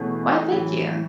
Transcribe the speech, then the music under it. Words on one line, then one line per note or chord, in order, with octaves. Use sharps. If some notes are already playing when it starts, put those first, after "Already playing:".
Why, thank you.
Already playing: B2 E3 A3 C#4 G#4 B4
A2 E3 F#3 C#4